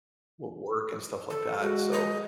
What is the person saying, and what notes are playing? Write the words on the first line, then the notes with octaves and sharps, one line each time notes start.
w work and stuff like that, so,
A4
G#3 F#4
D#5